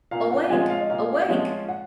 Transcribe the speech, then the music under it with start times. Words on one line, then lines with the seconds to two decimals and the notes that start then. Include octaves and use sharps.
"Awake, awake!"
0.11 A#2 F5
0.31 F#5
0.50 F3 G#3 C#4 F4 G#5
0.70 F5
0.81 D#5
0.90 A#2 F5
1.29 F3 G#3 C#4 F4
1.69 F#5